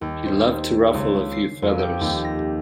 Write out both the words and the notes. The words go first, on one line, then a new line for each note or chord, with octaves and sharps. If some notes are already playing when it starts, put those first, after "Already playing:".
He loved to ruffle a few feathers.
D#2
C5
C#2
C7
F2
G4
D#2
A#6